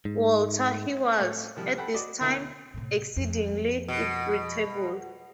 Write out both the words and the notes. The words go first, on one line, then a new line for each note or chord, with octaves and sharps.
Walter he was, at this time, exceedingly irritable.
G#2
A2 A3 C#5 F5
C2 F3 G3
A4 F#5 G5 B5
F#4 D5 D#5
D2 B2 E4 A#4 B5
A2 C3
F2
B2